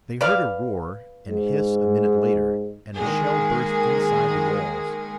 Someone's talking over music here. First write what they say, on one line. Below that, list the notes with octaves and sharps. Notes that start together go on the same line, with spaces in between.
They heard a roar and hiss a minute later, and a shell burst inside the walls.
B4 D5 F5
G#2
D#3 G#3 A#3 G#4